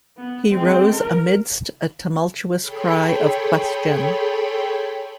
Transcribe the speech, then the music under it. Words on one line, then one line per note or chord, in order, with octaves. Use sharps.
He rose 'amidst a tumultuous cry of Question!
B3
G#3 C4
A#4
G#4 A4 C#5 G5 B5 C6